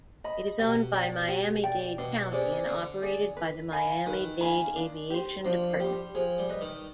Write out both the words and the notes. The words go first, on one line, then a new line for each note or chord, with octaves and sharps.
It is owned by Miami-Dade County and operated by the Miami-Dade Aviation Department.
D#5 B5
B2 G4
D5 G5
G4
D5 G5
B2 D4
C3 G#4 D5
D3 D4
G#4 D5
B4
F5 G#5 B5
D#3 B4
F5 G#5 B5
D4
G4 C5
F3 D4
G3 G4 C5
F3 G#4
G3
B4 D#5
D#3